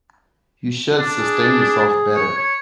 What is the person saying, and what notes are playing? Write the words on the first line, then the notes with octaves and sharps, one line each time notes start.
You should sustain yourself better.
D4
G#4
C#5
C#5